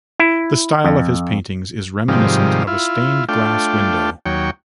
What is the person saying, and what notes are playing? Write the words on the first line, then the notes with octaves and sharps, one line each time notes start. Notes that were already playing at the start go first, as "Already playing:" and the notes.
The style of his paintings is reminiscent of a stained glass window.
E4
F2
G#2 C3 D#3 F3 G3
E4 F4
A3 D4 F4 G5
D#2 F#3 C#5 G5